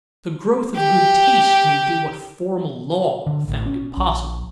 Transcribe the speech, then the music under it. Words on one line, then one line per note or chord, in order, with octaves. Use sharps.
The growth of good taste may do what formal law found impossible.
G4
D3
A1
C#4
A#1